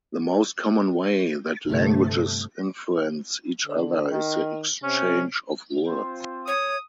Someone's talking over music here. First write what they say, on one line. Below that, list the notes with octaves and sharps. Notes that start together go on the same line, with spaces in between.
The most common way that languages influence each other is the exchange of words.
G1 C3 A3
D3
D#3
C3 C#4
C4 F4 C5
C#5 D#6